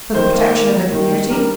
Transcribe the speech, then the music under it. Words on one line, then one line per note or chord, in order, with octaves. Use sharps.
"For the protection of the community?"
D#3 C5
A#3
A#3
A#3
D#3
D#3
G3 A#4